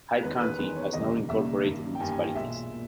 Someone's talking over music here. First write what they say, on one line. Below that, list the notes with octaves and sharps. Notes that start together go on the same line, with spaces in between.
Hyde County has no incorporated municipalities.
E2 D#3 G#3 B4
B4
E2 D#3 G#3 B4
C#5
E1 D#2 C#3 G3 A#3 D#5
E1 D#2 C#3 G3 A#3 E5
G2 D#3 A#3
G5
G2 D#3 A#3 G#5
G#5
G5
B1 A#2 G#3 E5
A#2